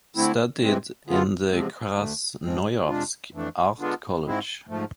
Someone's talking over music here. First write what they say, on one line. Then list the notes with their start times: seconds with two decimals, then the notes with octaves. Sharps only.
Studied in the Krasnoyarsk art college.
0.16 D3 A3 C4 E4
0.62 C3 E3 G#3 C4
1.07 D3 G#3 B3 F4
1.51 E2 C3 F3 G#3 C4
1.97 D2 D3 A3
2.43 G#2 F3 G#3 C4
2.87 F2 C3 G#3 D4 F4
3.33 F2 E3 A3 D4
3.78 D3 G#3 B3 D4 F4
4.24 G#2 G#3 C4 E4
4.69 G#2 F3 A3